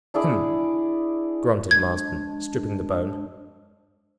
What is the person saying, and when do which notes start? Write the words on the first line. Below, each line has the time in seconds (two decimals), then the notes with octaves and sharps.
"Hm!" grunted Marsden, stripping the bone...
0.14 D4 E4 G#4 D5
1.71 G#3 D4 G#6